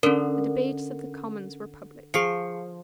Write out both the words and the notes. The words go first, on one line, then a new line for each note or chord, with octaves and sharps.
The debates of the Commons were public.
D3 C#4 A#4
F3 G#4 C7 C#7